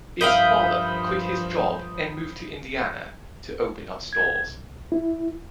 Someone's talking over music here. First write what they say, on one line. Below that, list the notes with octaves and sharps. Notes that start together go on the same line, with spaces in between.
His father quit his job and moved to Indiana to open up stores.
G2 F3 A#4 E5 F5 B5 D#6 G6
G#6
C2
E4